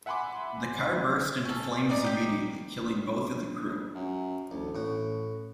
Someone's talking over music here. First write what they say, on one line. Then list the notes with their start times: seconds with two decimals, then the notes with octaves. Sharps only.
The car burst into flames immediately, killing both of the crew.
0.06 E5 F#5 G#5 B5 C6 D6
1.45 C#4 A4
1.89 G3 G#3 D#4 D5
2.05 D#4 G4
2.72 A#1
3.95 F#2
4.51 A1 D2
4.75 A2 F#4